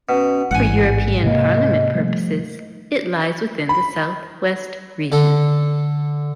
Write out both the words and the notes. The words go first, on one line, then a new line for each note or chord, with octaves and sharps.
For European Parliament purposes, it lies within the South West Region.
B2 C#4
A1 G#2 E3 G#3 F#5 G#5
C3 A#3 D#5
F3 G3 A3
B5
D3 A4